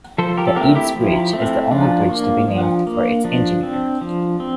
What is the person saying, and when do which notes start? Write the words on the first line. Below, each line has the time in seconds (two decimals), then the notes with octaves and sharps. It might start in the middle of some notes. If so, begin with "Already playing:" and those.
The Eads Bridge is the only bridge to be named for its engineer.
0.18 F3 A4 C5
0.38 G4 A#4
0.47 A4
0.56 A3 C4 G4 A#4
0.75 E4 G4
0.96 F3
1.33 A3 C4
1.71 F3 D4 F4
2.10 A#3
2.48 F3
2.87 A#3
3.24 F3 D4
3.63 C4
4.01 F3
4.40 C4